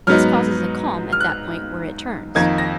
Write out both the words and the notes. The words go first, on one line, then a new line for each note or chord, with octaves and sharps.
This causes a calm at that point where it turns.
G#2 F#3 B3 D#4 F6
F6
F#6
F2 D#3 A#3 D#4 G#6
A#6